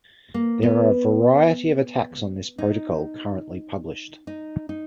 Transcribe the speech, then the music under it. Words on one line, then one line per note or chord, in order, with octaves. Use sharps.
There are a variety of attacks on this protocol currently published.
A#3
B3
D#4
D#4
D#4